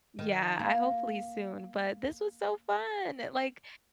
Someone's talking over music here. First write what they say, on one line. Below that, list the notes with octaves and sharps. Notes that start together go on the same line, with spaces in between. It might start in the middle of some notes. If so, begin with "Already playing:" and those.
Yeah, I hopefully soon, but this was so fun! Like,
D#3
A#3